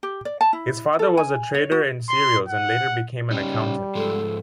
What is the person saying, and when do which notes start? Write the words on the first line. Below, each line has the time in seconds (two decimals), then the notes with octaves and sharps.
His father was a trader in cereals and later became an accountant.
0.03 G4
0.25 D5
0.41 A5
0.53 E4
0.99 A4
1.17 G#5
1.54 C#5
1.72 F#4
2.09 C6
2.49 F#5
3.31 C#3 G3 C#4 D#4
3.95 G#2 F3 G#3 A4